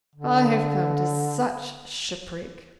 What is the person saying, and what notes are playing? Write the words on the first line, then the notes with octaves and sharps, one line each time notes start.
I have come to such shipwreck!
D3